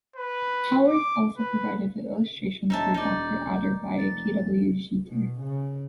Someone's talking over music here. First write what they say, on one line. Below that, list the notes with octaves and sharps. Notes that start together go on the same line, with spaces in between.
Howarth also provided the illustrations for "Doctor Adder" by K. W. Jeter.
B4
D6
B4
E1 D#4 C#5 E5 A5
D#4 D5 G6
F1 A6
B2
C#3